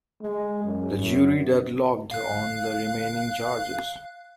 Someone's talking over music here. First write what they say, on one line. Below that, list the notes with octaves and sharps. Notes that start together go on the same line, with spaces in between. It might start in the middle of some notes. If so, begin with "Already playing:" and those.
The jury deadlocked on the remaining charges.
G#3
F#2
F#2
F5 F#6